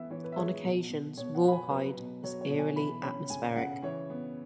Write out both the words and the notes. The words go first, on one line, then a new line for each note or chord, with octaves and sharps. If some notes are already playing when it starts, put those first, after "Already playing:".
On occasions, "Rawhide" was eerily atmospheric.
Already playing: E3 B3 E5
E3 C#5
B4
E5
G#3 C#5
B2
B2
B2 C#5
F#5
B3 B5
G#5
F#3 B4
B2
F#3 C#5
C#5
B2
G#5
E3 B5
C#4 B5
C#3 G#5
C#3 F#5
E3 C#5
B3